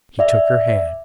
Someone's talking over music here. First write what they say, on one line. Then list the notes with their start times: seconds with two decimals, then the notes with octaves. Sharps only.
He took her hand.
0.19 D5 E5